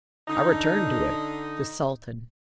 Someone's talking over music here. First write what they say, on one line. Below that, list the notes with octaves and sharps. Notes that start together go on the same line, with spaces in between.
I returned to it--the Sultan.
D3 D#4